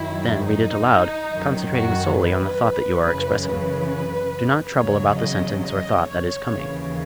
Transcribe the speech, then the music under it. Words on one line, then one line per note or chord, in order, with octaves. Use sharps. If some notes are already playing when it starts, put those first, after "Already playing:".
Then read it aloud, concentrating solely on the thought that you are expressing--do not trouble about the sentence or thought that is coming.
Already playing: F#2 D#3 F#3 E4
D#4
F#2 D#3 F#3
F#4
B4
F#2 C#3 E3 B4
B4
E2 C#3 F#3 C#5
D#5
D#5
C#5
D#2 C#3 E3